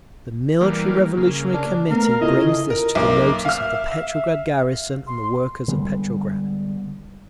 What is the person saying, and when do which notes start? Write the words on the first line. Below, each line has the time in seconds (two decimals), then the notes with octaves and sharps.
The Military Revolutionary Committee brings this to the notice of the Petrograd garrison and the workers of Petrograd.
0.61 E3 G3 A#3
1.17 C#3 A#3
1.54 D4
1.90 A3 B3 A#4 F5
2.21 C#3 E4 F4 A4 D#5
2.70 A#4
2.95 B1 A#3 D6
3.45 E5 F5 F6
5.07 C6
5.68 D3 G3 G#3 B3